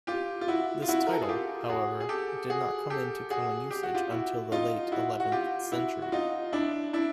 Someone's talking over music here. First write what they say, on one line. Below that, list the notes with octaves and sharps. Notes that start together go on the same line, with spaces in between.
This title, however, did not come into common usage until the late eleventh century.
F4 G4
F4
E4 F#4
F4
E4 F#4
A#4
A4
G#4
F4 G4
F#4 G#4
G#4
G4 A4
F#4 G#4
G4 A4
F#4 G#4
G4
F#4
F4 G4
E4 F#4
D#4 F4
E4 F#4
F#4
F4 G4
E4 F#4
F#4
D#4 F4
D4 E4
D4 E4